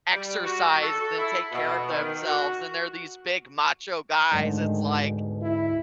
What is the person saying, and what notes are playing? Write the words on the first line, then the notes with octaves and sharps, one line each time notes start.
exercise then take care of themselves and they're these big, macho guys, it's, like,
G3
F#4
A4
E4
B2
D#3
F#4
D2 G#2 D#3
B2
E4